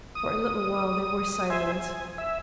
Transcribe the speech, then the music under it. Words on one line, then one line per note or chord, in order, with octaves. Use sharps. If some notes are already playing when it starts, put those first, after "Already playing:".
For a little while they were silent.
D#6
C5 E5 G#5
G#5
E5